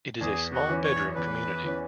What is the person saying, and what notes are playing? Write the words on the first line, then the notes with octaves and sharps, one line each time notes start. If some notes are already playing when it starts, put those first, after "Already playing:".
It is a small bedroom community.
E2 G#4
F#4
E3 C#4
C#5
E2 B4
E3 C#4